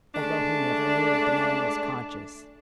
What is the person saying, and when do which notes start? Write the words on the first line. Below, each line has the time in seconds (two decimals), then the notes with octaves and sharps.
Although he never moved, the man was conscious.
0.15 G#3 A3 D4